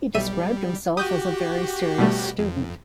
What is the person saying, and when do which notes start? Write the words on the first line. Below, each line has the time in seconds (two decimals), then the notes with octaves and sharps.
He described himself as a very serious student.
0.15 B1 G3 E5 D#7
0.97 F#4 G4 D#6 G6 D#7
1.98 B2 G3 A3
2.39 F2